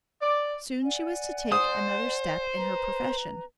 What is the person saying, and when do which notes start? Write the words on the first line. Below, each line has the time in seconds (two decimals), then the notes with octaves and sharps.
Soon she was to take another step in her profession.
0.21 D5
0.83 D5 F#5 G#5
1.52 C5 D#6
2.56 B4 A#5